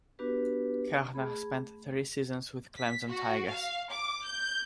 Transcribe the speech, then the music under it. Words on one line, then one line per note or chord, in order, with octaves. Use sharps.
Koerner spent three seasons with Clemson Tigers.
B3 D4 F#4 G4 B4
A3 G#4 B5
B6
F#4
F5
D6
G6